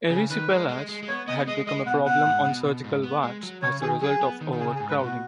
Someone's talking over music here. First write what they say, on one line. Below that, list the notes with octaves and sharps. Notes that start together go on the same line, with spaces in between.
Erysipelas had become a problem on surgical wards as a result of overcrowding.
C#3 G#4
D#3 B4
G#3
G#3
G#3
G#3
B3 C#5
B3 D#5
G#3 D#5
G#3 D#5
B2 F#5
B2 F#5
G#2
B2
B2
G#2
B3
G#3
F#3
C#3 C#5
D#3 G#4
F#3 G#4
B3
D#3
D#3
C#3 G#4
G#4
G#2
B4
B2 F#4